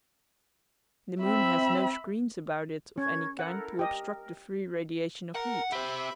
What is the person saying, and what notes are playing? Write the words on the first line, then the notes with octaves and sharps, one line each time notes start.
The moon has no screens about it of any kind to obstruct the free radiation of heat.
C4 E5 B5
C#4 A#4 C#6 G#6
E4 A4 A#4 F#5
G4 A#4 D#5
A#4 F#5
G4 C5 E5 B5